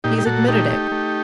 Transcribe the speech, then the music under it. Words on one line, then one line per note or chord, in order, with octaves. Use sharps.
He's admitted it.
A#2 D#4 G4
G4
A#2 F#4 A4
A3 D#4 G4
A3
A3